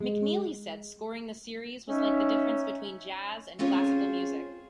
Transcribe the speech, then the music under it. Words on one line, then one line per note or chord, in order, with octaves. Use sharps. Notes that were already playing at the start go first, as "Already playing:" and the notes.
McNeely said scoring the series was like the difference between jazz and classical music.
G#3
C#4 D#4 E5
C4 C#4 F4 G#4 C5 C#5